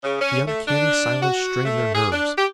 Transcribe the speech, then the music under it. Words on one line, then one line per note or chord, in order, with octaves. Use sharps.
The uncanny silence strained their nerves.
C#3
C#4
A3
D4
F#4
A3
G#4
D4
G4